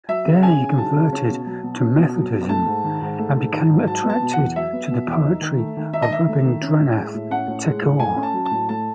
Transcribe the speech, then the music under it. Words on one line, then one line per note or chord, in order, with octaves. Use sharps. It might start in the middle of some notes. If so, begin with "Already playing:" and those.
There he converted to Methodism and became attracted to the poetry of Rabindranath Tagore.
F#3 E5
C#3
C#4 G#5
C#3
F#3 A5
C#3
C#4
B2
F#3
B2
C#4
B2
F#3
B2
A3 A5
G#2
D#3
G#2
A3
G#2
D#3
G#2
F#3 A5
B3
A5
B2
F#5
E2
F#3 E5
B3
B2
E2
D#4
D#3
A3
D#3
D#4 E5
D#5
D#3 E5
A3
D#3
C#4
A2
G#3
A2
C#4 F#5
A2
G#3
A2
A3 G#5
C#4
A5
F#3
A5
A2
A3 A5